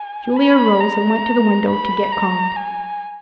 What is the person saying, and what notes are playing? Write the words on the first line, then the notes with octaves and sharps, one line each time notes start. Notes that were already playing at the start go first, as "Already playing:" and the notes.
Julia arose and went to the window to get calmed.
Already playing: G#5
B5
A#5
B5
A#5
G#5